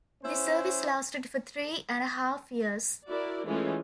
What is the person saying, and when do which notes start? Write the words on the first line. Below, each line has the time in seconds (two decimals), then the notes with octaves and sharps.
This service lasted for three and a half years.
0.23 C#4 E4 C5
3.09 E4 F#4 A#4 D5
3.46 E3 G#3 A3 C#4 F4